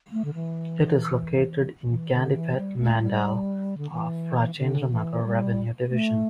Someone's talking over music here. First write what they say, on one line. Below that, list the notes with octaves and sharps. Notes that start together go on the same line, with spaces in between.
It is located in Gandipet mandal of Rajendranagar revenue division.
A3
D3
E3
E3
D3
E3
G3
A3
G3
D3
E3
D3
E3
G3
A3